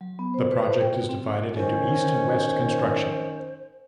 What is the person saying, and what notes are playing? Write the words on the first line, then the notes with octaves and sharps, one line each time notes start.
The project is divided into east and west construction.
F#3
B3
C5
B4
C5
G5
C4
D#3 C#4 C5